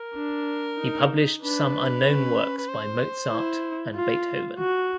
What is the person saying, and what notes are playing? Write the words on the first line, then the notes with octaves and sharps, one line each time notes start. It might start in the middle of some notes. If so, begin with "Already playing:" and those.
He published some unknown works by Mozart and Beethoven.
Already playing: A#4
D4
D#4
D4 B4
C#4
B4
C5
E4
F4
F#4